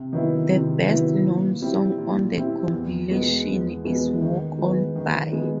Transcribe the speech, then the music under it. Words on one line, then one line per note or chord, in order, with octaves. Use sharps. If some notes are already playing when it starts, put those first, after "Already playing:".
The best known song on the compilation is "Walk On By".
Already playing: C3
D#3 F#3 B3 E4
C3
D#3 F#3 B3 E4
A#2
G3 C4 E4
A#2
G3 C4 E4
E2
B2 G#3 B3
E2
B2 G#3 B3
D#3
G#3 B3
D#3
G#3 B3